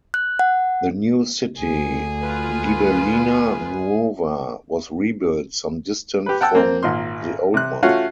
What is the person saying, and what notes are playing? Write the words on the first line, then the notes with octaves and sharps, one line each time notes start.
The new city, Gibellina Nuova, was rebuilt some distant from the old one.
F#6
F#5
D2 G#4
F4 B4
G4 B4
F#5 G5 A5 E6
A#3 C4
G#1 A#2 C6
C3 F#6
A3 C#4 F4 F#4